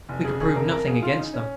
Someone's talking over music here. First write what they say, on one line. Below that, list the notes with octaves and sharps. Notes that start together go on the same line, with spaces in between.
We could prove nothing against them.
F1
C#3 G#4
F1 G#4
F2 A#4
C#3 A#4
C#2 G#4
C#2 F4
C#3 D#4
C#4